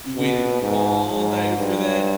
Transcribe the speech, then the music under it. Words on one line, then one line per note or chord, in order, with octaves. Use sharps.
we waited all night for that.
B2
G#2
G#2
G2